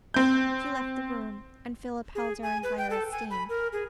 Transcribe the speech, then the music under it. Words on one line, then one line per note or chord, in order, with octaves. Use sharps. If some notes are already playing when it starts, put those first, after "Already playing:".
She left the room, and Philip held her in higher esteem.
C4 G6
G#4
G#5
B4
G5
A4
G#5
B5
A#4
G#4